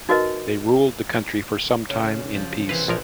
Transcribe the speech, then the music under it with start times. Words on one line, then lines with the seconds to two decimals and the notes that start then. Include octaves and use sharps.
They ruled the country for some time in peace.
0.09 D#4 F#4 A#4 B4 D#5
1.89 C#3
2.34 F3
2.69 C3 E3 B4 F5
2.88 A#1 F3 A#4